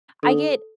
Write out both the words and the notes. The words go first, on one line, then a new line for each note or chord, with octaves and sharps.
I get
D3 A4